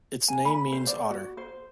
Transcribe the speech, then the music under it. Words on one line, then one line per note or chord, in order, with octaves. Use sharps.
Its name means "otter".
G#5
B5
C5
D5
F#4
C5